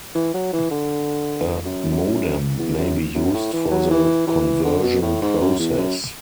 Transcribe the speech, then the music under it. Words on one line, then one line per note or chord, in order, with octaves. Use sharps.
A modem may be used for the conversion process.
E3
F#3
E3
D3
F#2
F#2
F#2
E2
F#2
F#2
A2
E3
F#3
E3
E3
D3
B2
A2
G#2
F#2
E2
F#2